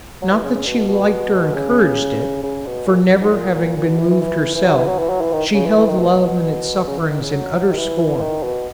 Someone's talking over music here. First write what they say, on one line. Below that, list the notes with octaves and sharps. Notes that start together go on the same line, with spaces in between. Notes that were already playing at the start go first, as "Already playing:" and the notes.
Not that she liked or encouraged it; for, never having been moved herself, she held love and its sufferings in utter scorn.
F#3
E3
C#3
C#3
B2
B2
C#3
C#3
B2
A#2
F#2
G#2
A#2
A#2
A#2
B2
E3
E3
E3
E3
F#3
E3
F#3
E3
F#3
E3
D#3
C#3
E3
E3
D#3
B2
C#3
E3
D#3
C#3
F#3
D#3
E3
D#3
B2